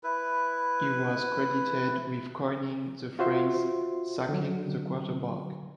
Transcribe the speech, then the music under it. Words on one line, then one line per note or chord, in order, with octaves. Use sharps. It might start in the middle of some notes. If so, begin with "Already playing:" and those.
He was credited with coining the phrase "sacking the quarterback".
E4 B4
F4 F#4 C5 E5 C6
D3 F#3